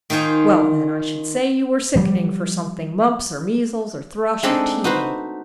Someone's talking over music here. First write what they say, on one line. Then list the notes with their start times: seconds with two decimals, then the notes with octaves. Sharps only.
Well, then, I should say you were sickening for something--mumps or measles or thrush or teething.
0.10 D#3 D#4 F4 C5 G#5
1.96 F3 G3
4.43 G#3 A3 C4 D4 D#4 A4
4.84 D#4 F#4 B4 C5